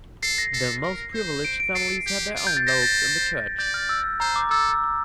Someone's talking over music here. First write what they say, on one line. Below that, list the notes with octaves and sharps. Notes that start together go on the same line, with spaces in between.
The most privileged families had their own loges in the church.
A4 C7
A#6
A4 C7
A#4
C5
D7
D7
A4 C7
G4
F4
G6
A6
C5 A#6
A6
D5 G6
F6
E6
C5 A#5
D6
A4 E6